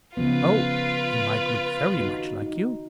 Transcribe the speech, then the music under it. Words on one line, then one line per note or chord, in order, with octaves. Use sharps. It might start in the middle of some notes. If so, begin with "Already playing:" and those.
"Oh, he might look very much like you."
C#3 F3 B3 F4 B4
D#4 F#4
D#4